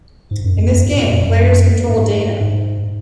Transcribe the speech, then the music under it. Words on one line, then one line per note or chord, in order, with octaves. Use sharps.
In this game, players control Dana.
G#2
F#2
F2
F#2
G#2
A#2
F#2
F#2
G#2
G#2